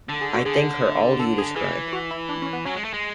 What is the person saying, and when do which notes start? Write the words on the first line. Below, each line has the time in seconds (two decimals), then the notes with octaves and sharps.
I think her all you describe.
0.09 D3 A4
0.21 G#4
0.34 F#4
0.45 D3 G#4
1.19 A4
1.38 G#4
1.56 E3 G#4
1.93 F#4
2.11 E4
2.29 D4
2.42 C#4
2.53 B3
2.65 F#3 C#4
2.75 G#3
2.84 A3
2.93 G#3